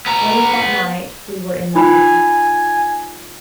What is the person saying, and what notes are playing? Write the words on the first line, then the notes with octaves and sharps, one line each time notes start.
Late that night we were in London.
B3 A#5
D#4 F4 G#5 B5